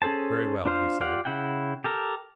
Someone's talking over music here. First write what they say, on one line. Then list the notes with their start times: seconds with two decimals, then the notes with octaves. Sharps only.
"Very well," he said.
0.02 C#4 G#4 A4 C5 A5
0.66 D4 F4 C5 F5
1.01 F4 G4 D5 F5 F#5
1.25 C#3 E4 F#5 G5
1.84 G4 A4 A#4